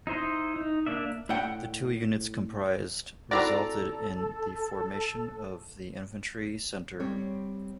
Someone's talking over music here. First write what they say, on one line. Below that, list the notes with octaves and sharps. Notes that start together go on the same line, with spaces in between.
The two units comprised resulted in the formation of the Infantry Centre.
D#4 E4 C5 D#5
D#4
A#3 D4 D5 E5
A2 D5 E5 F#5 G5
C4 E4 F#4 A4 D5 A#5
G3 C4 C#5